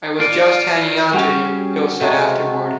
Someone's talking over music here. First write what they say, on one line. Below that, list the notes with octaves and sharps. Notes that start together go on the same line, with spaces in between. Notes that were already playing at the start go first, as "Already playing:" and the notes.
"I was just hanging on to him," Hill said afterward.
F4 D5
G3 C#4 F#4 G#4 G5
C3 F#3 G#3 A3